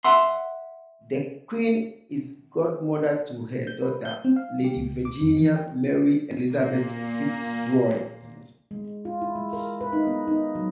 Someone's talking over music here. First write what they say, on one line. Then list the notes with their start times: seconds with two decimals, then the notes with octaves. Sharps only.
The Queen is godmother to her daughter, Lady Virginia Mary Elizabeth FitzRoy.
0.04 E5 F#5 C6
3.67 G6
3.82 B4
4.05 G6
4.25 C4
4.36 F5
4.64 G4
4.77 C#2
5.05 D6
5.22 F2
5.37 E3
5.56 G5
6.52 A#2 A#3
8.71 G#3
9.05 F4
9.21 E4
9.35 G#3
9.53 A#4
9.81 B4
9.93 D#4
10.07 B3
10.28 D#4
10.55 F#3